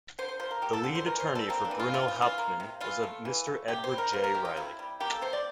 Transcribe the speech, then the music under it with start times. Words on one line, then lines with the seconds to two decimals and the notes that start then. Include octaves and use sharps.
The lead attorney for Bruno Hauptmann was a Mr. Edward J. Reilly.
0.18 D3 C5
0.29 C5
0.39 F3 C5
0.51 A#4
0.62 A#3 G4
0.73 A4
0.84 D3 A4
0.95 C5
1.06 E3 A#4
1.20 C5
1.27 G3
1.35 A4
1.49 A#3 C4
1.65 D4
1.71 E3
1.79 F4
1.94 C3 F4
2.08 F4
2.15 E3
2.22 F4
2.38 A#3
2.60 C3
2.81 E3 F4
3.03 A3
3.25 E3
3.47 A3
3.68 C3 G4
3.84 C5
3.91 G3
3.98 A#4
4.13 A#3 C5
4.24 A#4
4.35 C3 G4
4.45 F4
4.57 C3 E4
4.79 G3
5.00 A#3 G4
5.11 A4
5.21 C3 C5
5.33 D5